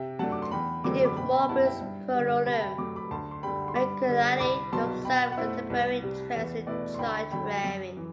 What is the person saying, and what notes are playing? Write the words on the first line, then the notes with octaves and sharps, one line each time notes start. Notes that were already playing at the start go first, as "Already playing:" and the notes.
In "De morbis puerorum", Mercuriali observed contemporary trends in child-rearing.
Already playing: C3 E5 G5
F#3 A3 D4 F#5 A5
D6
C6
E2 G5 B5
D3 F#3 A3 C4 D6
B5 D6
B2 G5 B5
G5 B5
G3 B3 E4 F#5 A5
E5 G5
G2
D3 G3
C3 B5
A5
G5 B5
F#3 A3 D6
B5 D6
D2 A5 C6
C6
D3 G3 G5 B5
C6
G2 B5 D6
D3 G3
C2 B5 D6
B2 F#3 B3 A5 C6
B2 G5 B5
F#5
A3 E4 C5 E5
C2 B4
C3 G3
E2 B4
B2 A3 E4 B4 D5
C6
D2 G5 B5
D3 F#3 G5 B5
F#2
E3